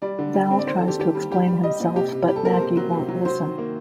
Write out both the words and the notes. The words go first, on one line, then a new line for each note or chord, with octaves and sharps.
Val tries to explain himself but Maggie won't listen.
G3 D5
D3
G3
C4
D5
D#3 C5
A4
D#3 G4
D#3 G4
G3
G3 G4
G3
G3 D#5
A#2
C3 G4
C3
G3 G4
A4
A#3 A#4
C5
C3
F#3
C3
F#3
F#3 C5
D#3
A#3